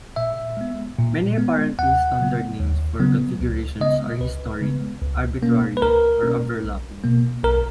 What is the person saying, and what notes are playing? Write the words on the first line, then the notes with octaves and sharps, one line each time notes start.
Many apparently 'standard' names for configurations are historic, arbitrary, or overlapping.
A#2 E5
G#3 B3
A#2
G#3 B3
D#2 F#5
C#3 F#3 B3
D#2
C#3 F#3 B3
C#2
C#3 G#3 B3 D#5
C#2 B4
C#3 G#3 B3
C#2
B2 A#3 C#4
B4
C#2 A#4
B2 A#3 C#4
B1
B2 A#3
B1 A#4